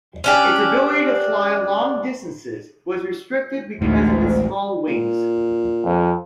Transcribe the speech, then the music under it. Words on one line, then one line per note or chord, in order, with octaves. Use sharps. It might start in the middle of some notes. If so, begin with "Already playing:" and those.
Its ability to fly long distances was restricted because of its small wings.
C#4 D4 G4
A1 D2 G#2
A#2
F2